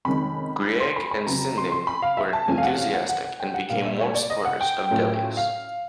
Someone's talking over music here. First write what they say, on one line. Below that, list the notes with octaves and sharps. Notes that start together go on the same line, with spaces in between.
Grieg and Sinding were enthusiastic and became warm supporters of Delius.
F2 C3 D#3 G#3 C#4 B5
C6
B5
B5
F2 C#3 F#3 B3 A#5
C6
C6
B5
F5
E5
A5
E2 C3 F3 A3 C#4 G#5
F5
F#5
F5
F#5
F#5
F#5
G5
F#5
A#2 G3 A#3 D4 F5
E5
C#5
D5
D#5
F#5
G5
A2 F#3 A3 C#4 F4
F5